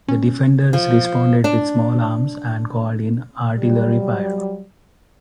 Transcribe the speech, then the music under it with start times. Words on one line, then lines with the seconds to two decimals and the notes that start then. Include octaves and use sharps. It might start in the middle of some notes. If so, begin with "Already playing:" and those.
The defenders responded with small arms and called in artillery fire.
0.08 C#4
0.73 F3
1.44 D4
3.59 F#3 G3